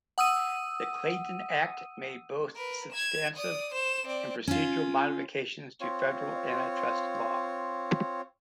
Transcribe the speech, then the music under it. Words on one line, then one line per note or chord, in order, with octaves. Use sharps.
The Clayton Act made both substantive and procedural modifications to federal antitrust law.
F#5 D#6 E6 D#7
A#4 B4
G#6 E7
D5 D#6
C5 E7
C4 D5
C#4 F4
C4 F4 C#5